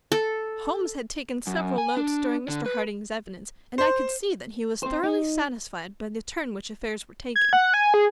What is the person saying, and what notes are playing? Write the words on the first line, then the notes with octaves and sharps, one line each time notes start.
Holmes had taken several notes during Mr. Harding's evidence, and I could see that he was thoroughly satisfied by the turn which affairs were taking.
A4
F#2
G#5
D4
D3
B4
C5
C4 C5
D#4
G#6
F#5
G#5
G#4